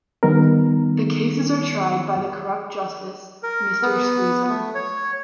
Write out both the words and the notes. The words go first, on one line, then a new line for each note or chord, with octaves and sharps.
The cases are tried by the corrupt justice, Mr. Squeezum.
D#3 G3 B3 D#4 A#4
A#4
B3
A3
C#5